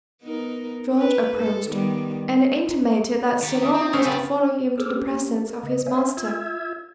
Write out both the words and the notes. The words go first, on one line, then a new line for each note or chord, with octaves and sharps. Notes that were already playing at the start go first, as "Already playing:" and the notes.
George approached, and intimated that Sir Norman was to follow him to the presence of his master.
B3 D#4 A#4
A#4 B4
G#2 A4
D#3 G3 B3
D#3 G4 A5
E5 D#6
C4
A3 C#4 D#4 G4 A#4 C5 E5
C#3 F#3 B3 B4 D5 G#5
G#4 A4 C5 D6 E6 F6
A#3 C#4 G4
A#4
C#3 D#5
C5 C#5 E5 F5 G#5
F4 E5 E6 G#6